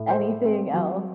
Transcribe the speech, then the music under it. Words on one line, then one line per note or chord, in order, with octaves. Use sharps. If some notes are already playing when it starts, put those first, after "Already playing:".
anything else,"
Already playing: A2
C5
A3
C4
F#3